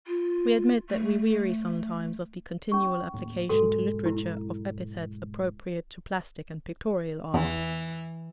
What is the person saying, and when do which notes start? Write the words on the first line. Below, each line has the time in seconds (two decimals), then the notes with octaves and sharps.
We admit that we weary sometimes of the continual application to literature of epithets appropriate to plastic and pictorial art.
0.07 F4
0.89 A3
2.72 C#4 C#6
3.13 D#2 A2
3.49 B1 G#2 G#3 F#4 A4
4.06 E4
7.34 E2 E3